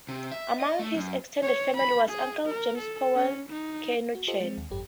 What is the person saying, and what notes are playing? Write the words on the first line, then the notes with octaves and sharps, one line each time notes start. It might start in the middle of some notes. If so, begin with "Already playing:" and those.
Among his extended family was uncle James Powell Kernochan.
C3
E5
D#5
A3
F#2
C#5
B5
G#4
A#4
A4
C#4
D#4
F#4
F4 G4 A4 C5 D#5
G#3 C4
D#2
G#1 F#2 G4